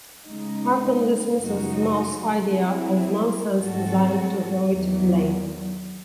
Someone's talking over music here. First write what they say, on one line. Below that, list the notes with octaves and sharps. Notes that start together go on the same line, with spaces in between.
Harken dismisses Mal's idea as nonsense designed to avoid blame.
C#3 G#3 D#4
F#2 C#3 G#3 D#4 F#4
F#3 C4 E4 G#4
G#2 F#3 C4 F#4 A4
E2 D#3 F#3